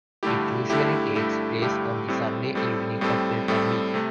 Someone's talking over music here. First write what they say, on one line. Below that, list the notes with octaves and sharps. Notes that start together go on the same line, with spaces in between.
It usually takes place on the Sunday evening of Welcome Week.
G2 D3 A3 E4 G4
G2 D3 A3 E4 G4
G2 D3 A3 E4 G4
G2 D3 A3 E4 G4
A2 G3 C4 A4
A2 G3 C4 A4
A2 G3 C4 A4
A2 G3 C4 A4
C3 A3